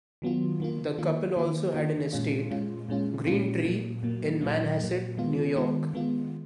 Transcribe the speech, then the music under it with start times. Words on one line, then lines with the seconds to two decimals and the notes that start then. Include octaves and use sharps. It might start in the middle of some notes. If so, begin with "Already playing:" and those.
The couple also had an estate, Greentree, in Manhasset, New York.
0.22 D#3 F#3 B3 F4
0.60 D#3 A#3 F4
0.98 D#3 A#3 F4
1.36 D#3 A#3 F4
1.74 D#3 A#3 F4
2.13 A#2 G#3 C#4 F4
2.51 A#2 G#3 C#4 F4
2.89 A#2 G#3 C#4 F4
3.26 A#2 G#3 C#4 F4
3.65 A#2 F#3 A#3
4.03 A#2 F#3 A#3
4.41 A#2 F#3 A#3
4.79 A#2 F#3 A#3
5.17 D#3 G#3 B3 F4
5.56 D#3 G#3 B3 F4
5.93 D#3 G#3 B3 F4